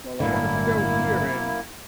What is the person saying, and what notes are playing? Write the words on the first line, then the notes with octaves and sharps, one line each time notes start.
"Well, I wanted to go here and
G1 F#2 A2 D3 A#3 E4